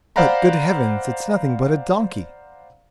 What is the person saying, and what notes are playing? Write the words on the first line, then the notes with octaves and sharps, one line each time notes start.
'But, good heavens, it's nothing but a donkey!'
C5 D5 F5 F#5 A#5 B5